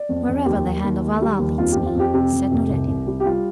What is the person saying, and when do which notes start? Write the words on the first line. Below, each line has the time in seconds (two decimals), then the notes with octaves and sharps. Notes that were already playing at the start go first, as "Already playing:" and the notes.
"Wherever the hand of Allah leads me," said Noureddin.
Already playing: D5
0.09 F2
0.28 F2
0.46 D#2 G4
0.65 D#2
0.84 D#2
1.02 D#3
1.21 G3
1.39 D#2
1.58 F2 F4
1.72 F2 G4
1.86 F4
1.95 F2 G4
2.13 C3 G4
2.32 F2
2.52 F1
2.70 C2
2.88 C2
3.07 G3
3.20 G4
3.26 G3 F4